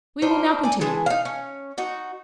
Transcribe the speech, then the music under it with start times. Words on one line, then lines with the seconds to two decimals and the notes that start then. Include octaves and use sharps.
We will now continue.
0.22 D4 D#4 F4 C5
0.63 D5 G#5
0.81 E3 G#3 G#4 A5
1.06 D#4 F5
1.25 C#4
1.78 D#4 F#4